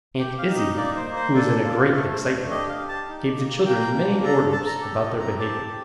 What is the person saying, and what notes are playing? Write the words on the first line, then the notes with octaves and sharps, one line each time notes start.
Aunt Izzie, who was in a great excitement, gave the children many orders about their behavior.
G4 G5
F5
D#4
D#5
A#3 D5
C5
A#3
C5
D4 A4
F4
A3 A4
C5
D4
G4 D#5
F5
G4
A5
D#4
A#3
A#3 G5
D4
A4 A#5
A4 A5
A#5
G4
D#5
C4
A#5
G4 A5
G4